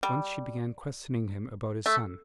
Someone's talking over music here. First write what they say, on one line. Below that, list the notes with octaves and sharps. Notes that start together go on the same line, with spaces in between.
Once she began questioning him about his son.
G3
A3